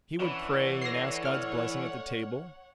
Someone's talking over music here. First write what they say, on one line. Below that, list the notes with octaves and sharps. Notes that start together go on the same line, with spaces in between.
He would pray and ask God's blessings at the table.
E3 C#4 D4 B4 C#5 F#5
A3 D4 A#6 C7
F6